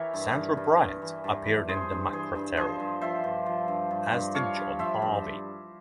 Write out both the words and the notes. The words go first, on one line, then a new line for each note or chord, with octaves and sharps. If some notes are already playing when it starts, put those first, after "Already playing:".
Sandra Bryant appeared in "The Macra Terror", as did John Harvey.
Already playing: E3 G4 A#4 C#5 E5
G2
G2
G2
G2
E3
G2
E3
G2 G#4 C5
G2
E3 G#4 C5
G2
F3 G#4 C5
G2
F3 C5 E5
G2
F3
G2
G2
G2
F3 C#5 F5
G2
F3 C5 E5
G2